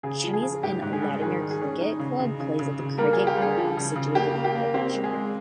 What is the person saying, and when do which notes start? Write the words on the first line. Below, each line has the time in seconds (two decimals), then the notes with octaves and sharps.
Chenies and Latimer Cricket Club plays at the cricket ground situated in the village.
0.03 C#3 G#4
0.24 F3
0.33 G#4
0.43 C#3
0.63 G#2 G4
0.82 G#2
0.93 G#4
1.02 G3
1.21 D#3 G#4
1.41 D#3
1.51 G#4
1.61 C#4
1.81 D#4
1.99 C#3
2.19 C#3
2.40 C#3
2.59 C#3
2.79 C#3
2.97 G3 A#3 A#4
3.13 F4 G#4
3.27 G4
3.37 G3 G#4
3.57 F3
3.77 C#3
3.96 C#3
4.15 A#3 G4
4.35 A#3
4.44 G4
4.55 A#3
4.74 C4 G4
4.94 G#3
5.04 G#4
5.13 G#3